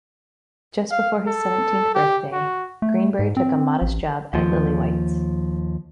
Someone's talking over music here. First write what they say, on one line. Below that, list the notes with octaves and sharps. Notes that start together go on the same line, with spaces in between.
Just before his seventeenth birthday, Greenbury took a modest job at Lillywhites.
F5
A4
G4
F#4
A3
G#2
C4
A1
D#2 F3